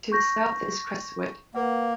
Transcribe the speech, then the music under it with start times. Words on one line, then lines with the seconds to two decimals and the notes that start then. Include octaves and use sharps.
To the south is Crestwood.
0.12 C#6 G6 A#6
1.55 A#3 B4 F5 F#5